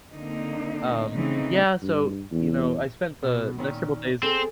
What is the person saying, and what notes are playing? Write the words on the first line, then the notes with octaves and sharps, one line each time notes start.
Um, yeah, so, you know, I spent the next couple days
D3 A#3 C4 D#4
C#3 E3 A3 C4 D#4
G2
E2
B2
A#2 D#3 C#4
C4 G#4 A4 G5